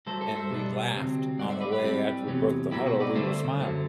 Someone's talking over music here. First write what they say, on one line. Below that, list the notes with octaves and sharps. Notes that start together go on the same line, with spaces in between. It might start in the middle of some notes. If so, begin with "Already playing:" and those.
and we laughed on the way after we broke the huddle, we were smiling,
G2 F#3 A3 A4 C5
A4 C5
C5 E5
B2 G3 B3 D4
D2 C3 F#3 C4
G2 F#3 A3 D5 F#5
C5 E5
B4 D5
G4 B4
A2 G3 C4
E2 C3 F#3
B2 F#3 A3 C4 E4 G4
F#4
B4 D5
G2 D3 A3 C5 E5
F#2 D3 F#3